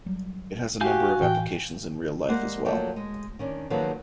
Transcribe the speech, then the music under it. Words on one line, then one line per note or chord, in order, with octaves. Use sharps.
It has a number of applications in real life as well.
F#3 G3
F#4 G4 F5 G#5 G6
A2 E3 G5
G3 G#3 A#3 C5 F#5
D2 F3 F#3 A#3 A4 G5
G#3
D#3 C#4 D4
D#3 F3 F#3 A#3 A4 B4